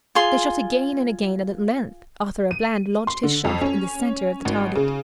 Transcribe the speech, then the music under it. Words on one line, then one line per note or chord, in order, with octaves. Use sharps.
They shot again and again, and at length Arthur-a-Bland lodged his shaft in the center of the target.
F4 G#4 C6
D#7
C6
D3
F2
C#4
G#1
C#3